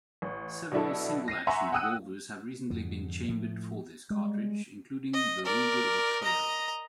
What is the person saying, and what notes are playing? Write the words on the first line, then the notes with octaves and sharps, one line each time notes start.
Several single-action revolvers have recently been chambered for this cartridge, including the Ruger Vaquero.
A1
B2 F#3 D4 E4 A4
A#6 C7 D#7
E5 F#5 G#5 A#5 C6 C#6
F#5 G5 D#6 E6 F#6 D#7
F2 G#2 D3
A2 F3 A3
G3 G#3
D#5
A#4 D5
D#5 A#5